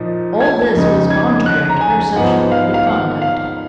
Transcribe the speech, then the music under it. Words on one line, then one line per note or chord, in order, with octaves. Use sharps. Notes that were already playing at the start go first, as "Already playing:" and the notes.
All this was contrary to her social code of conduct.
Already playing: A#2 F3 D#4
G#6
F2 C#3 G#3 D#4
G#6
F#6
A#5
G#5
G#2 F3 B3 D#4 F#5
F5
F5
F#5
F5